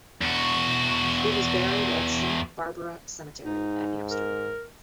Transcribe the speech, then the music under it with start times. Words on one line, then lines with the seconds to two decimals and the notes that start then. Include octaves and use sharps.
He was buried at the Saint Barbara cemetery at Amsterdam.
0.21 E2 F#4
3.46 G#2 D#4
4.11 A#4